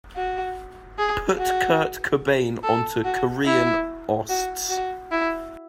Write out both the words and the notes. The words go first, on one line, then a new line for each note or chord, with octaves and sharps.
Put Kurt Cobain onto korean osts.
F#4
G#4
F#4
A4
F#4
E4
F#4
F#4
E4